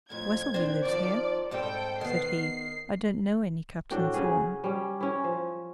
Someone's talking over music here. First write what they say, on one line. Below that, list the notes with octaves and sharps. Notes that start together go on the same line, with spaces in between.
Westleby lives here,' said he; 'I don't know any Captain Thorn.'
F2 A2 G#6
C4 D4
D#3 F3 D5
G#2 G3 C4 A4 G5
D#3 B3 C7
A2 D4 F#4 G5
C#3 C#4 G#4
G3 C#4
C#4 E4
F3